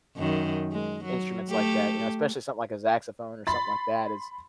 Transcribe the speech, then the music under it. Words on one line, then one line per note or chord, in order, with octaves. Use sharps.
instruments like that, you know, especially something like a saxophone or something like that is
F#2 D#3
G#3
F#3
A3 G4 A4
B5 C6 A6